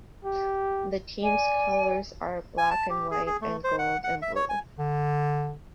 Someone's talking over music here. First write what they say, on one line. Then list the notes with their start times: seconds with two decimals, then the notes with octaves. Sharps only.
The team's colors are black and white, and gold and blue.
0.25 G4
1.23 D5 G#5
2.58 G#5
2.71 A5
2.90 G4
3.11 G#4
3.26 G#4
3.41 A3
3.64 C5
3.79 F#5
4.04 F#5
4.22 E5
4.35 C#5
4.49 G#5
4.78 D3